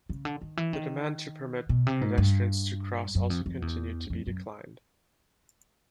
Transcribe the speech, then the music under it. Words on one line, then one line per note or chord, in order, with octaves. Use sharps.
The demand to permit pedestrians to cross also continued to be declined.
C#3
D3
D#3
E3
D#3
B2
C3
G#2
G2
F#2
F2
F2
E2
F2
F#2